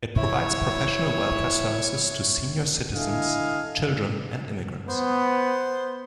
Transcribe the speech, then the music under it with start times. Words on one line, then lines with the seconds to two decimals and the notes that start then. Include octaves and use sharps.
It provides professional welfare services to senior citizens, children and immigrants.
0.17 E4 C#5
2.95 D3 E4 A4 D#5 F5 G#5
4.89 B3 C5